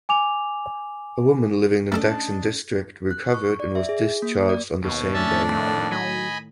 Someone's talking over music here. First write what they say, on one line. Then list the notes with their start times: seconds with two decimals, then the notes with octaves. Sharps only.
A woman living in Daxing District recovered and was discharged on the same day.
0.09 G#5 D6 F7
1.92 A3 C#4 D4 A4 D#5 A5
3.11 F#6
3.34 C#6
3.60 D5
3.75 E5
3.89 G#4
4.22 A#3
4.49 D5
4.82 D#2 B2
5.14 A2 D#3 C#4 D4 E5 A5
5.52 F2 A3
5.91 F#3 D#5 G#5 B5